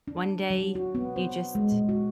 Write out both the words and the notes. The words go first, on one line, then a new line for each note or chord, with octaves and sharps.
one day, you just
D4
F#3
F#4
B3
C5
G#3
A#2
F#4